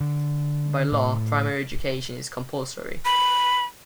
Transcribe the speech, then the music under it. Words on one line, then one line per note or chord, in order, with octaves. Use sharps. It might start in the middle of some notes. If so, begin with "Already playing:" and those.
By law, primary education is compulsory.
D3
A2
B5